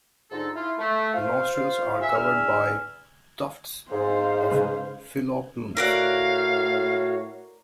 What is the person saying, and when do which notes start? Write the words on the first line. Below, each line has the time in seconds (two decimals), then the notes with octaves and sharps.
The nostrils are covered by tufts of filoplumes.
0.31 G#2 D3 D#4 F4 A4
0.55 E4 F4
0.78 A3
1.14 F4 C5 F5
2.01 G#4 E5
2.14 E2 D4 B4 G#5 E6 F6
3.91 G#2 C5 F5
4.50 C#3 G#3 B4
5.77 A2 F#4 A#4 C#5 D5 F5 F#5